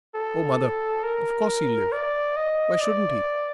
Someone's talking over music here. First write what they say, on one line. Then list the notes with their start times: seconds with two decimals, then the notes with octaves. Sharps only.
"Oh, mother, of course he'll live; why shouldn't he?"
0.15 A4
1.03 A#4
1.92 D5
2.36 D#5
2.81 D5